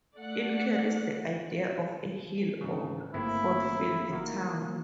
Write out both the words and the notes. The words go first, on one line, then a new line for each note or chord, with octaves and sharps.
It carries the idea of a hill or fortified town.
A3 D5 F#5
G#2 C#3
G1 A3 A#3 C4 E4
D#3 F#4 A#4